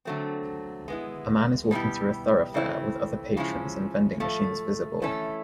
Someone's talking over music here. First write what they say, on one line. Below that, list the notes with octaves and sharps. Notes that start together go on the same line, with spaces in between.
A man is walking through a thoroughfare with other patrons and vending machines visible.
D3 F#3 A3 C4
G#3 B3 E4
B2 G3 B3 E4 G4
C#3 E3 A3 C4 E4
C#3 F3 G#3 C#4 E4
A2 F3 A3
E3 A3 C#4 E4 A4